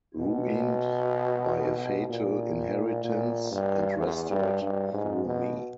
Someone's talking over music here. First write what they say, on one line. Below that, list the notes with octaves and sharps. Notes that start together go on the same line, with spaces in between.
Ruined by a fatal inheritance, and restored through me!
B2
A#2
A#2
G2
E2
G2
G2
G#2
B2